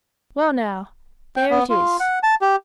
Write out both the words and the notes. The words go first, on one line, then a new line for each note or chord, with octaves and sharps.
Well, now, there it is.
G5
B3
F4
F#5
A5
G4